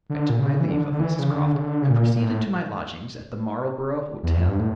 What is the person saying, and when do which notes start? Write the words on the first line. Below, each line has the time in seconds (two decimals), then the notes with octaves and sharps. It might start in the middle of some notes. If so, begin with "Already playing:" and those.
I took my leave of Mrs. Croft, and proceeded to my lodgings at the Marlborough Hotel.
0.10 D3
0.29 A#2
0.40 C#3
0.60 E3
0.70 D3
0.92 D3
1.00 E3
1.19 C#3
1.30 D3
1.55 C#3
1.60 D3
1.82 C#3
1.90 A#2
2.16 A#2
2.20 A2
4.23 E2
4.36 F2
4.48 G2
4.59 A2